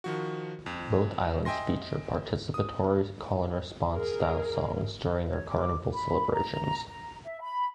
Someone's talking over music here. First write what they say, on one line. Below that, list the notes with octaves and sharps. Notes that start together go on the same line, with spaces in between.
Both islands feature participatory, call-and-response style songs during their Carnival celebrations.
D#3 F3 F#4
F2
D#5 E5 G5 G#5 C6 A#6
D#6
G#4 A#4
C#5
D6
B5
A#5
A#5
E5
B5